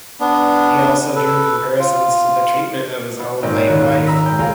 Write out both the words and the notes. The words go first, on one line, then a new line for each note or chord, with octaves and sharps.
He also drew comparisons to the treatment of his own late wife.
B3 D4
A4 B4
F4
B3
G#1 C#4 A#4 D5 D#5 G5
D#1 D#2 D#3 A#3 D6 F#6
A#5 B5 D#6 E6 A#6 B6
G#3 G5
F4 G#4 A#4 D5 F5